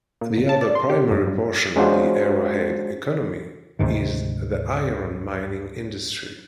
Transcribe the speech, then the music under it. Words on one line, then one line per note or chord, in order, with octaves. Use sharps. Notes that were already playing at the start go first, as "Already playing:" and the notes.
The other primary portion of the Arrowhead economy is the iron mining industry.
A#2
G1
A5
D5
C6
G4
F#2
G2
G#3 C#4 D4 F4 F#4 C5
D2 G#2 C3 D#3